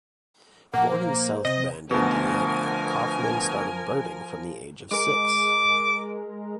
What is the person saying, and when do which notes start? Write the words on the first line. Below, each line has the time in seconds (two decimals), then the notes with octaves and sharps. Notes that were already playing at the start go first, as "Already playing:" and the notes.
Born in South Bend, Indiana, Kaufman started birding from the age of six.
0.74 A#2 F3 A#3 F#5
0.89 C5
1.45 C3 C4 D#5
1.91 D2 B2 F3 A#4 G#5
4.91 G#3 A#4 D6